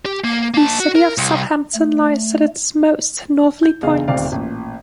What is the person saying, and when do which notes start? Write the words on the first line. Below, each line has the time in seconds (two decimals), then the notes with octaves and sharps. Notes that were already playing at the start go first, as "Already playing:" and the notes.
The city of Southampton lies at its most northerly point.
0.06 G4
0.24 A#3
0.54 A#3 A5
0.80 F#4
0.95 A#4
1.18 C2
1.74 A3
3.63 G6
3.83 F#1 E2 G#4 D#5 F5
4.08 D#1 D2 C3 C4 D5 F5
4.32 A1 A#2